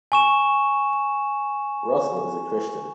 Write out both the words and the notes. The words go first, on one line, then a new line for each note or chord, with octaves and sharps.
Russell is a Christian.
G#5 C#6 E7